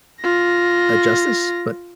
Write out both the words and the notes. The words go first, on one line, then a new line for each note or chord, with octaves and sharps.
a justice, but
F4 A#6